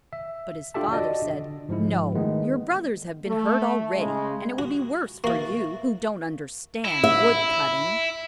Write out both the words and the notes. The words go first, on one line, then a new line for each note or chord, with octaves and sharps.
But his father said: "No, your brothers have been hurt already, and it would be worse for you, who don't understand wood-cutting."
E5
D4 F4 G4 A4 E5 A5
D4 F#4 D5 D#5
D3
G#2 F3 G#3 E4
D#3 G#3 A3 B3
A3
C#3 G#3
F#4
A#3 F#4 E5 F5 C#6
E4
E5